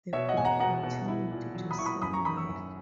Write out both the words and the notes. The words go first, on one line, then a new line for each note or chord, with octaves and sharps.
The book continued to sell well.
B2 C#5 E5
D#5 F#5
E1 G#5
F#5 A#5
B2 F#5 A#5
B2
E4
A#2
F#3
B5 D#6
E4 C#6
B5 D#6
F#2 B5 D#6
A#5 C#6
D#3 B5 D#6
C#6 E6
F#2